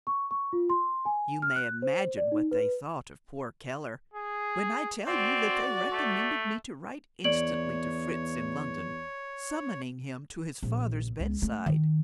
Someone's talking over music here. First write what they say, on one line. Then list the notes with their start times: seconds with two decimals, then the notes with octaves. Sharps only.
You may imagine what they thought of poor Keller, when I tell you that they recommended me to write instantly to Fritz in London summoning him to his father's bedside.
0.07 C#6
0.31 C#6
0.53 F4
0.70 C6
1.05 G#5
1.42 F6
1.56 F#6
1.82 C5
2.17 D5
2.32 D#4
2.51 B4
4.14 G#4
5.07 C4 F#4 D5
5.92 A3
7.24 E2 C#5 D5 D7 F#7
10.63 A#1
11.20 C#2
11.42 A3
11.66 D#3